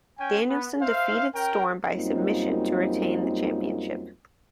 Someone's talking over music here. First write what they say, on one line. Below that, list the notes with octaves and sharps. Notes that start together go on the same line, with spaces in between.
Danielson defeated Storm by submission to retain the championship.
C#4 G5 G#5
B3
C5 E5 F5
C#4 A#4 G5
F#2 G3 A#3 C4 D#4 F4